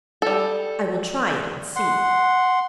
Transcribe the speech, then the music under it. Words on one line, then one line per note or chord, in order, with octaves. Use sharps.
"I will try it and see."
G3 A4
F#5 C6